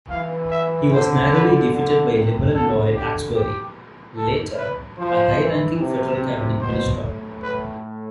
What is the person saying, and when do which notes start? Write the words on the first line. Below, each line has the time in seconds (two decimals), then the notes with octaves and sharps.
He was narrowly defeated by Liberal Lloyd Axworthy, later a high-ranking federal cabinet minister.
0.10 E3 F5
0.51 E5
0.92 D3 C5
1.33 B4
1.73 D3
2.14 C3
2.55 D3 A4
2.95 G4
3.35 G4
4.16 A4
4.58 B4
4.99 F3 C5
5.39 E3
5.79 C3
6.61 B2 C5
7.02 A2
7.43 B4